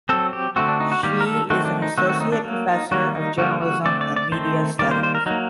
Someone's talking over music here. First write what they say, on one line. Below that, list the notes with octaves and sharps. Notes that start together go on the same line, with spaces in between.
She is an Associate professor of Journalism and Media Studies.
F#3 C4 A4
G4
D3 A3 C4 F#4
D4
D#4
F#4
D#3 G3 A#3 G4
A#4
A4
D#3 A3 C4 F#4
D4
D#4
D#3 A3 C4 F#4
F#4
D#4
D4
F#3 A#3
D#4
D#3 G3 A#3 F#4
D#4
D3 G3 A#3 F#4
F#4
D3 A3 C4 D5
D5
D5
D#3 A3 C4 C5
D#3 G3 A#3 D5
C5
C5
A#4
F#3 A#3 D#4